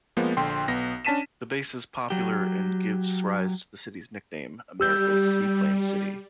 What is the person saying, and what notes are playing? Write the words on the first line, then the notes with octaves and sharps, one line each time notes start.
The base is popular and gives rise to the city's nickname, "America's Seaplane City".
F3 G#3 A#3 B3
A#1 D3 G5 C6
B1 B3 A#6
C#4 D4 A5 B6 D#7 E7
F#3 G4
G3 G4 E6 G6